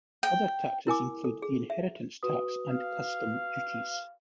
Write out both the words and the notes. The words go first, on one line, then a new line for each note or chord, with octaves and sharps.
Other taxes include the inheritance tax and custom duties.
G5
E4 A#4 G#5 D6
A4
G#4
E5
F#4 B4 D#6
F5